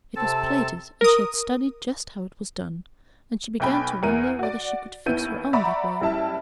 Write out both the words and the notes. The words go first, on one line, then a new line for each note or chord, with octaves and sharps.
It was plaited and she had studied just how it was done and she began to wonder whether she could fix her own that way.
C3 C4 A4 A5
A#4 D#6
B1 B2 G5 G#5 B5
E2 A#4 D#7
F#4 D5
D#2 B3 E4 G6 D#7
D5 E5 F#5 A#5 B5 C#6
F#1 G3 E4 E5 A5